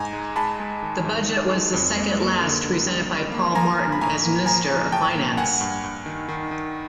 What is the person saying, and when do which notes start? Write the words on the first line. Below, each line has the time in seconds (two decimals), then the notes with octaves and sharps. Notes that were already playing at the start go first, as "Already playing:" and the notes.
The budget was the second last presented by Paul Martin as Minister of Finance.
Already playing: G#2 G#5 A#5
0.13 G#3
0.36 G#3 A5 B5
0.60 G#3
0.82 D#3
1.05 G#2
1.27 D#3
1.50 G#3
1.73 F2
1.95 A#3
2.19 A#3
2.41 D3
2.64 D3
2.87 G3
3.09 G3
3.32 A#3
3.55 F3 G#5 A#5
3.78 F3
3.92 B5
4.01 A2 G#5 A#5
4.24 A#3
4.46 F3 G#5 A#5
4.69 F3
4.92 A2 G5 A5
5.15 A#3
5.37 G2 F#5 G#5
5.61 G2
5.83 G2
6.06 D#3
6.29 D#3
6.51 D#3